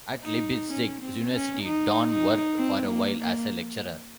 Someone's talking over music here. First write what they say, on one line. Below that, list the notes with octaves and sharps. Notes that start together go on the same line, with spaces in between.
At Leipzig University Dorn worked for a while as a lecturer.
D#4
C#4
C4
C#4
D#4
D#4
C4
A#3
A#3